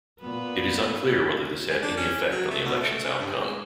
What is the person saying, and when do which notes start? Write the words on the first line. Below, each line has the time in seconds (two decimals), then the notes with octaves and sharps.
It is unclear whether this had any effect on the election's outcome.
0.20 A#2 B3 B4
1.70 G#3
1.83 D4
1.97 C#4
2.31 F#3
2.51 A3
2.65 B2
2.81 A3
3.04 C#4
3.20 G2
3.34 G#3
3.47 G#3